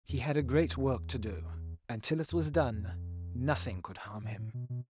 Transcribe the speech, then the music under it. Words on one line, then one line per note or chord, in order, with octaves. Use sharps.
He had a great work to do; and till it was done nothing could harm him.
E2
E2
F2
E2
F2
A2
A2
B2
B2